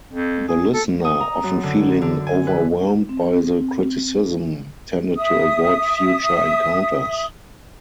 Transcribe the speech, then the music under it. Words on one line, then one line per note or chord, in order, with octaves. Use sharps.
The listener, often feeling overwhelmed by the criticism, tended to avoid future encounters.
F2
G#4
A4
D#6
A#5
F#2
D3
D3
G#5
B4
C4
E5 D#6